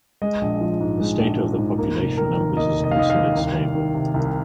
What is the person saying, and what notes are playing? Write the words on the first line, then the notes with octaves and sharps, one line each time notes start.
The state of the population numbers is considered stable.
G#3 D#5
A#1
F3
G#2
G#3
A#1
F3
G#2
A#3
F1
D#3 A#4
D#2
A#3 D#5
F1
D#5
F5
D#3 D#5
F5
D#2
C2
C2
D#3
C3
C2